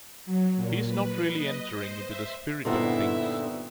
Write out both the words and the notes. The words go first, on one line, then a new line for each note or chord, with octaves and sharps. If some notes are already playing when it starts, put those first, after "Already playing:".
He's not really entering into the spirit of things.
F#3
A#2
B4
D#5
C5
E5
G2 A#2 D3 B3 C4 D#4 E4 E5